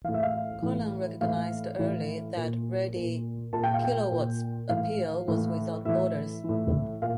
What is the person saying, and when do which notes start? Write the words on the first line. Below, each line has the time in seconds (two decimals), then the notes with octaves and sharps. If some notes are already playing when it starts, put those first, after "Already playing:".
Collins recognized early that Reddy Kilowatt's appeal was without borders.
0.04 A2 E3 F5
0.14 E5
0.23 F5
0.62 A2 E3
1.21 A2 E3 F5
1.79 A2 E3
2.37 A#2
2.96 A#2
3.53 A#2 A5
3.64 G5
3.74 F5
3.84 G5
4.11 A#2
4.69 A2 E3 F5
5.28 A2 E3
5.85 A2 E3 E5
6.44 A2 E3
7.02 A#2 F5